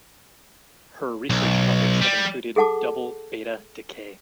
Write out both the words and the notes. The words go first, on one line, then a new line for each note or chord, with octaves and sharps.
Her research topics have included double beta decay.
B1
G3
G#4 A4 F#5 A5 D6